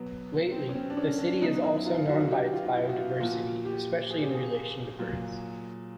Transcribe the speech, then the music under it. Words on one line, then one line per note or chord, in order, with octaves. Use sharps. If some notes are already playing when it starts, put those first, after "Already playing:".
Lately, the city is also known by its biodiversity, especially in relation to birds.
Already playing: B2 F#3 B3
C4
C#4
C4
D4
C#4
D4
B2 F#3 D#4
E4
F4
F#4
F#4
G4
F4
F4
E4
F#4
F4
A#2 F3 F#4
G4
G#4
G4
G#4
A#2 F#3